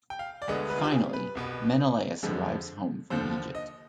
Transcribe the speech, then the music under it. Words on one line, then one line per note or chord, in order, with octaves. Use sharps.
Finally Menelaus arrives home from Egypt.
G5
F5
D5
D2 D3 G#3 B3 D#5
B4
F4
G4
G#4
B4
C2 B2 B3
F2 D3 F3 G#3
D#2 D3 F3 C5
D#5